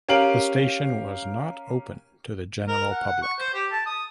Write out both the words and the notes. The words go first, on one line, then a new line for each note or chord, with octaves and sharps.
The station was not open to the general public.
C#4 G4 A#4 F5 D7 F#7
A#4
F#5
F#5
C#6
C5
G4
A5
D#6